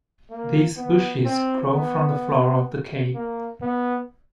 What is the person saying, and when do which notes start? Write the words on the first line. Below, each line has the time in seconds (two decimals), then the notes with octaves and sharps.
These bushes grow from the floor of the cave.
0.30 A#3
0.77 B3
1.25 C4
1.72 B3
3.14 A#3
3.62 B3